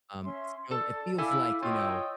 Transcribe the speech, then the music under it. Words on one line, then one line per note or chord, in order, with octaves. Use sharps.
um, it's feel it feels like, you know,
C#4 E5 C6
A4 D5 A5
E4 A4 F5 G#5 B5 D6
F4 C#5 D#5 G5 E6